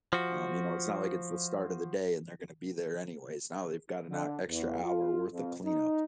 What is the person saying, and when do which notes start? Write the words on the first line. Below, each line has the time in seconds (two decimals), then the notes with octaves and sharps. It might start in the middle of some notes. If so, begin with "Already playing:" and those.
um, you know, it's not like it's the start of the day and they're gonna be there anyways, now they've got an hou extra hour worth of cleanup.
0.13 F3 F#4
4.10 D3
4.49 E2
4.84 F4
5.33 F2
5.65 D#4